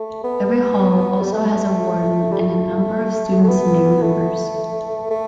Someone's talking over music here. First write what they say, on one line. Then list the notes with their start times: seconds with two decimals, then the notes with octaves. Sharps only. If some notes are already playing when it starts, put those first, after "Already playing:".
Every hall also has a Warden and a number of student Senior Members.
Already playing: A3
0.24 B3
1.21 G3
1.32 A3
2.32 G3
2.40 A3
3.44 A3
3.48 B3
4.02 A3
5.10 A3